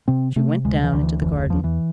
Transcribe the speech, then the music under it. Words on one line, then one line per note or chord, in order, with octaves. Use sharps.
She went down into the garden.
C3 C4
C3 A3
D2 G#3
E3
D2
E3
F1 E3
D3
E2 F3
E3